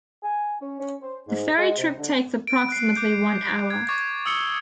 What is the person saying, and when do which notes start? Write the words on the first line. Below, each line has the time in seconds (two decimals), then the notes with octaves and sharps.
The ferry trip takes approximately one hour.
0.23 G#5
0.61 C#4
0.79 C#4
1.02 C5
1.27 G#2
1.57 G#3
1.77 C3
1.98 D3
2.47 D7
2.69 F#6 C7
2.96 D6 G6
3.70 G#6
3.88 C#6 D6 G#6 A6
4.26 D#6 E6 C#7 G7